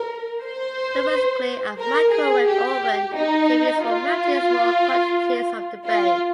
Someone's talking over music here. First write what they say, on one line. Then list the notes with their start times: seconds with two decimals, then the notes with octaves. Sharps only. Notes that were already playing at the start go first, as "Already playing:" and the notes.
Domestically, a microwave oven can be used for melting small quantities of the base.
Already playing: A#4
0.44 C5
1.79 A#4
2.12 G#4
2.48 G4
3.15 D#4
3.83 F4
5.86 F4